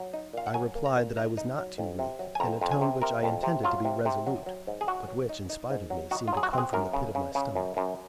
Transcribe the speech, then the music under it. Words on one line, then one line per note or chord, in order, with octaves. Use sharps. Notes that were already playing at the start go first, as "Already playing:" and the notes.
I replied that I was not too weak, in a tone which I intended to be resolute, but which, in spite of me, seemed to come from the pit of my stomach.
Already playing: F#3
D#4
A#2 F5
F#5
F#3 G#5
A#3
A#5
A#2
D#4 A#5
D#4
F#3
F2
C3
F#3
G#5
F2 A#5
F2
G#5
C3
C3 A#4
F2
C3
F#3 F4
C3
C3
F#3
F#3
G#2
G#4
F#3 F#4
F#3
D#4
D#4
G#2
F#3
D#4 F#4
F4
F#3 G#4
F#4
C4 G#4
F#2 A#4
C#3
C#3
C#3
F#2
F#2